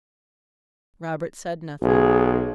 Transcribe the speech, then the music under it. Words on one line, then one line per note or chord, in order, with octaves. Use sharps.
Robert said nothing.
B1 G#4